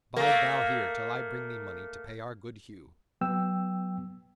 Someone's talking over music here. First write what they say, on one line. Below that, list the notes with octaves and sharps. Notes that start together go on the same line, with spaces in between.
Bide thou here till I bring thee money to pay our good Hugh.
A3 A#3
F#3 B3 G5 E6